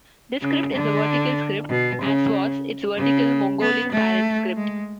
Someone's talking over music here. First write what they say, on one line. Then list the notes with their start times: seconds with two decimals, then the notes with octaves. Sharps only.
This script is a vertical script, as was its 'vertical Mongolian' parent script.
0.42 C#3
0.74 D3
1.70 B2
2.02 C#3
2.97 C#3
3.61 B3
3.93 A3
4.56 G#3